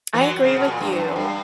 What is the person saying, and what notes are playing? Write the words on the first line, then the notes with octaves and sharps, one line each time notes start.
I agree with you,
E3
F#2 F#3
C#3
B2
A#2
G2
G2
F#2
G2